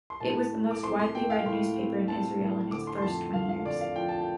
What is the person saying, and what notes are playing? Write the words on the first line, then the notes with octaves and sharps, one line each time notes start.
It was the most widely read newspaper in Israel in its first twenty years.
C6
A2 A5
A3
D6
C4 C6
C6
A3 G5
F5
A2 C6
C4
C4 A5
A2
D3 D6
C6
C6
F2 A5
D3 F5
F5
D3 D5
F5
F3 G5
A5
G5